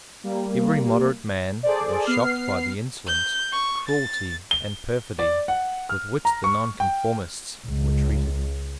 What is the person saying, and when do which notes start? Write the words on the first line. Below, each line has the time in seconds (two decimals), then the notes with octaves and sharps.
Every moderate man was shocked by the insolence, cruelty, and perfidy with which the Nonconformists were treated.
0.24 G3 A#3
1.63 G#4 A4 C5 D5
2.05 B3 F6 C7
3.07 G6
3.52 C#6
3.88 A6
4.51 G7
5.19 D5
5.48 F#5
5.89 F6
6.25 A#5
6.44 C#6
6.80 G5
7.64 C#2